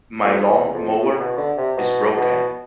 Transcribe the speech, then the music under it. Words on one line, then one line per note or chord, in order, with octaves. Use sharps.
My lawn-mower is broken.
F2
E2
F2
A2
B2
D3
C3
B2
B2